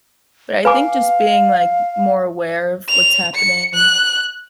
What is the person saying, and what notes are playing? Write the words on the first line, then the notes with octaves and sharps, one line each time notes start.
but I think just being, like, more aware of what's happening,
B4 F5 G#5 D6
F7
C#7
F#6